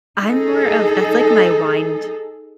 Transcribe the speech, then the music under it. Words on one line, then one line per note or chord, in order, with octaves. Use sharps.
I'm more of that's like my wind
D#4 G#4 A4